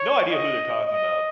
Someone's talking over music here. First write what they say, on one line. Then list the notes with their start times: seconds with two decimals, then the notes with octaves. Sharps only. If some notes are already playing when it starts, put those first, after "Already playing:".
No idea who they're talking about.
Already playing: C#5
0.31 D#5
0.87 D#5